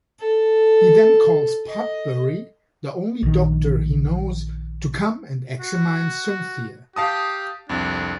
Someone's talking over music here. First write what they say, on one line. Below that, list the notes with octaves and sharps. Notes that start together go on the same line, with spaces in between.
He then calls Potbury, the only doctor he knows, to come and examine Cynthia.
A4
D#5
A#1 D#3
F#4
G4 F5 A5 D#6
C2 F2 D4